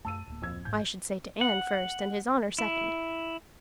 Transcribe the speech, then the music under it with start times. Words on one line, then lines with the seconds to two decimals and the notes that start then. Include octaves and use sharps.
I should say to Ann first and His Honor second.
0.05 F#2 A3 A5 E6 D#7
0.28 D1 A#3
0.42 F2 E6 G#6
0.65 A1 G#2 G6
1.41 F#5
2.58 E4